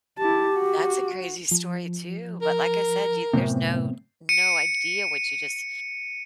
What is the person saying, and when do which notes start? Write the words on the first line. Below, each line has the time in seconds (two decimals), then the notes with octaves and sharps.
That's a crazy story too, but like I said, you there's no no idea what you just
0.18 E4 G4 A5
0.54 F#4
1.51 F3
2.42 A#4
3.33 F#2 A2 C3 B3 C4
4.29 C#7 D#7